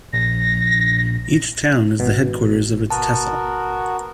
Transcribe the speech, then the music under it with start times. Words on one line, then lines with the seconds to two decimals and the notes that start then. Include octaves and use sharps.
Each town is the headquarters of its tehsil.
0.13 A#1 A#6
1.99 G#1 B2
2.90 B3 F#4 A#4 A5